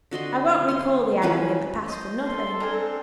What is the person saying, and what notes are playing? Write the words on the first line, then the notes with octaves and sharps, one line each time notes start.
I won't recall the agony of the past for nothing.
D3 F#4 D#5 C6
C6
E3 F3 C#4 B4
C5 D#5
A4 C6
C4 D4 A#4 G#5